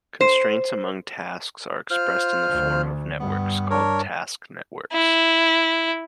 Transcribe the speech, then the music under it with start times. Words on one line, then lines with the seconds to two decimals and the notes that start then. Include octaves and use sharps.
Constraints among tasks are expressed in the form of networks, called task networks.
0.21 C5
1.91 F4 C5 F6
2.49 D2
3.20 G2 B3
3.70 D4 A#4 C#5
4.93 E4